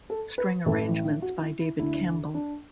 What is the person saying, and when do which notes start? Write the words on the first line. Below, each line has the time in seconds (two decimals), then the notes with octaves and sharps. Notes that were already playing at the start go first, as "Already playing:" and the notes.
String arrangements by David Campbell.
0.10 A4
0.38 B4
0.66 A1 A2 E3 A4
1.22 F#4
1.41 E4
1.60 E4
1.79 D2 D3 E4
2.34 D4